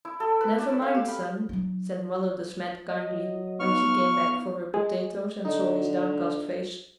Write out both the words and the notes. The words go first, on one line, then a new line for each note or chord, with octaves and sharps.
"Never mind, son," said Mother De Smet kindly, when she came back for her potatoes and saw his downcast face.
E4
A4
B4
D5
B4
F5
G4
B5
F#3 D#4
F#3 D#5
B3 D#4 F5 C#6 F6
G#3 G#4
D3 D#4